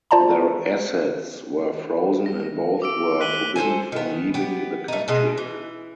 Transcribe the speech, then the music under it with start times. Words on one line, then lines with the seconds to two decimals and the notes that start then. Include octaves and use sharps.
Their assets were frozen and both were forbidden from leaving the country.
0.11 F4 C5 D5 A5 A#5
2.26 A#6
2.82 D6 E6 D7
3.20 F#6 B6 D#7 F#7 G7
3.56 A4 A#4 C5 G#5
3.92 D#3 B3
4.34 B3 G4
4.88 A3 D#4
5.08 B2 G#3 D#5
5.38 E3